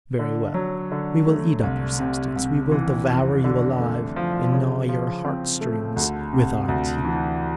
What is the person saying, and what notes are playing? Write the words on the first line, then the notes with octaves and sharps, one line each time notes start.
Very well; we will eat up your substance, we will devour you alive and gnaw your heart-strings with our teeth.
D3
F#3
D3
A3
C2
C3
C2
E3
F2
D3
A3
F3
C#3
F3
C4
A3
D2
C3
D2
E3